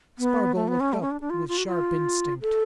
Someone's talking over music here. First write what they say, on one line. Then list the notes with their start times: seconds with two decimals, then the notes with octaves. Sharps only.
Spargo looked up with sharp instinct.
0.19 B3
0.56 A3
0.68 B3
0.80 C#4
0.93 A3
1.02 C#4
1.11 D4
1.21 D4
1.30 F4
1.49 F4
1.58 F#4
1.67 F4
2.42 A4